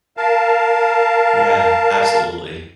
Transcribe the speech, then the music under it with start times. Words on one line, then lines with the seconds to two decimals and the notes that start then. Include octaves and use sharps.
Yeah, absolutely.
0.17 A#4 F5 A5